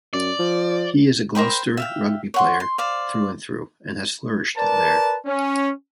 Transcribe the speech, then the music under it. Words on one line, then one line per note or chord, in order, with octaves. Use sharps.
He is a Gloucester Rugby player through and through and has flourished there.
F#2 D5
F3
A#4 C5 G5 B5
E5 F5 G5
C#5 F#5 C6
C6
C5 D5 F5
A#4 B4 D5 A5
C#4